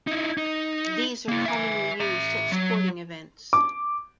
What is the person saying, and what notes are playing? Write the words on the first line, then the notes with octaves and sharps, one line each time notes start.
These are commonly used at sporting events.
D#4 E4
D#4
A#3 E4
E5 G#5
E5 A#5
F#3
D6